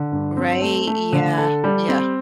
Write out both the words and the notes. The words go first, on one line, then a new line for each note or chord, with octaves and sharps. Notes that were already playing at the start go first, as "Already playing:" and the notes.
Right, yeah, yeah.
Already playing: D3
G2
C4
A3
A3
D3
A4
G3
C4